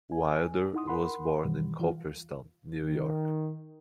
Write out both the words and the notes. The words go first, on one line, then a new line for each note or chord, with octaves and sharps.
Wilder was born in Cooperstown, New York.
G#5
D#4 E4 F#5 C6 D#6
A#4 F#5 B5 C6
F#2 B2 D#3 E3 G3
E3 F4 F5
D#3